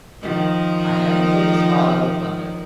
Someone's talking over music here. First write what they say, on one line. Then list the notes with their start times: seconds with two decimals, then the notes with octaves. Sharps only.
"I am Phileas Fogg, of London."
0.22 D#3 F3 A#4